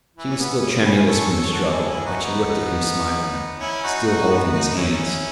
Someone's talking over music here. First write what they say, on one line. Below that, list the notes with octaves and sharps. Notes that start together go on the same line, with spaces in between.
She was still tremulous from the struggle; but she looked at him smiling, still holding his hands.
E3
C#4
B3
C#4
G#4 B4
A4 C#5
A4 C#5
F#4 A4
E4 G#4
C#4 E4
D#4 F#4
B3 D#4
C#4 E4
D#4 F#4
D#4 F#4
B3 D#4
D#4 F#4
C#4 E4